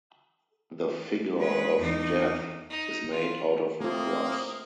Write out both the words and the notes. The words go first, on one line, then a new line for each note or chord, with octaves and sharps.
The figure of Death is made out of a cross.
G#3 B4
E2 D#4
D#4
F4
A3 A#3 C4 F4 D#6